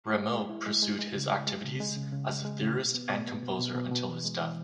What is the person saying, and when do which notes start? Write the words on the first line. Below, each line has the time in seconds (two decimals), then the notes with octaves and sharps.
Rameau pursued his activities as a theorist and composer until his death.
0.17 G#3
0.34 G#3
0.50 E4
0.66 G#3
0.82 G#3
0.99 G#3
1.15 C#3
1.31 G#3
1.47 G#3
1.64 C#3
1.80 G#3
1.96 C#3
2.13 C#3
2.29 G#3
2.45 G#3
2.61 C#3
2.77 B2
2.94 B3
3.10 B2
3.27 B3
3.43 B2
3.59 B2
3.75 B2
3.92 B2
4.08 E3
4.24 G#3
4.40 E3